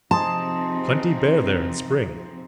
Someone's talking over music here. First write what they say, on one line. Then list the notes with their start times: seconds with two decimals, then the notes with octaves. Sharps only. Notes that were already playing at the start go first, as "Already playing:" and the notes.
"Plenty bear there in spring!"
0.11 C3 F3 C4 D#4 G#4 C5 A5